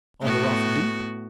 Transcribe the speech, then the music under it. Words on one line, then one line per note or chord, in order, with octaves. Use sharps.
'On the rough deep.
A2 B3 F#4